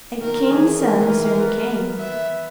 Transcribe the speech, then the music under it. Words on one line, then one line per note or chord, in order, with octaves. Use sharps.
A king's son soon came.
D#3 A#4
E3 G#4
D#3 A#4
E3
D#3
B3
B3 E5